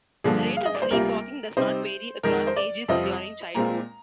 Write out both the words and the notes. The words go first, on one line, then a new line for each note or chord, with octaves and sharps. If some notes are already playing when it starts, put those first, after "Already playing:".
The rate of sleepwalking does not vary across ages during childhood.
G2 D3 F3 A#3 G#4
F5
D#5
D5
C5
D2 C3 G3 A#3 F4 A#4
C3 G3 C4 D#4 C5
F2 D#3 G#3 A#4
C5
D5
F2 C3 G3 C4 F4 D#5
A#2 G#3 C4 F4 A#5